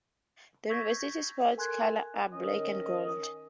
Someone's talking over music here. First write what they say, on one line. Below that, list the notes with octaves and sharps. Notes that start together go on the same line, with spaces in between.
The University sports colours are black and gold.
C#6 E6 G6 G#6 A#6 B6
A4 A#4 G#5 C6 F#6 G#6
D#3 C#4 D#5